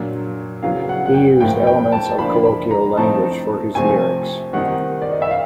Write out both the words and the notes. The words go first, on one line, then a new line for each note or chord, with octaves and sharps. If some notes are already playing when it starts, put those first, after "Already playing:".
He used elements of colloquial language for his lyrics.
Already playing: A#2 F#3 A#3 D4
C#3 F#3 B3 F5
F#5
F#5
G5
A2 F3 A#3 G5
G5
A5
D3 F3 A#3 D4 B5
B5
A#5
F3 A3 C4 D#4 A5
C3 F3 A3 C4 G#5
D#3 G3 C4 D#4 F#5
D5
D#5
E5
F5